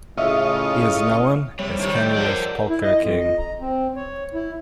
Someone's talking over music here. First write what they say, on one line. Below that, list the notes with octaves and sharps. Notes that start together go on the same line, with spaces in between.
He is known as Canada's Polka King.
A2 C#3 F4 C#5 D#5 E5
C3 G3 C#5
A2 C3 D#3 G3
G6
F3 G3 D5 F#5
A#4
E4
D#5
F2
D#5
A#5
C4
C#5
E4